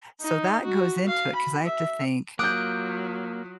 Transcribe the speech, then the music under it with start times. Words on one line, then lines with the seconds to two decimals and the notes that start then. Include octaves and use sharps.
So, that goes into it, 'cause I have to think,
0.21 D#4
0.64 F#4
1.07 F5
1.35 B5
1.65 E5
2.39 F#3 A#3 F4 D6 D#6 F#6 G6 D7